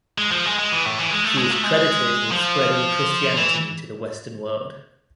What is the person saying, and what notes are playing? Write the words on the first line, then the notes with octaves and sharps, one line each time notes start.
She is credited with spreading Christianity to the western world.
G#3
F3
G#3
G#3
E3
A2
E3
G#3
A3
G#3
A3
G#3
F3
E3